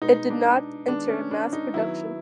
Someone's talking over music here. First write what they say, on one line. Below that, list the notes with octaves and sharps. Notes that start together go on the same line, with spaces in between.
It did not enter mass production.
B2 G#3 B3 D#4
D4
D#3 G#3 B3 D4
C#4
D4
D#4
D#3 F#3 B3 E4